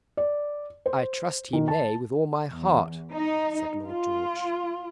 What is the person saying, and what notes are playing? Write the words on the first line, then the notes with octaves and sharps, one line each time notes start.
"I trust he may with all my heart," said Lord George.
D5
C5
D#3
A5
E2
D#4
F4